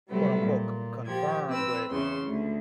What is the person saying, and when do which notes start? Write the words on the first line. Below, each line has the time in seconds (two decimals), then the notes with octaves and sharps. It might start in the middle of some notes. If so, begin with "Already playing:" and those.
quote, unquote, "c confirmed," but
0.10 C3 F#3 G3 A3 B3 C4
0.43 A#2
1.06 F3 G4 G#6
1.49 C4 B4 E6
1.87 E2 C#3 C6
2.27 D2